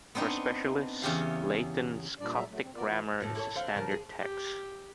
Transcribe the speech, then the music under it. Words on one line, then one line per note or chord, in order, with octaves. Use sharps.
For specialists, Layton's Coptic grammar is a standard text.
B3 C4 D4 D#4
E2 C#3 G4 F5
A#2 G3 D4 D5
A#2 F#3 G3 G#4 E5 A#5
F#3 A3
C4
B3 F4 A#4 D5
E3 E4 F4
F2 A2 C#3
E4 A4 C#5
D3 C4 F5
C#3 F3 A#4
G#4
G4